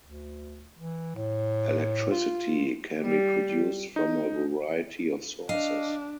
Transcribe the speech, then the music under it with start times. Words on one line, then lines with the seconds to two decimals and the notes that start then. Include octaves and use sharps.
Electricity can be produced from a variety of sources.
0.03 D2
0.79 E3
1.16 A2
2.11 F4
3.02 G3
3.96 D#4
5.49 D4 D#5 F5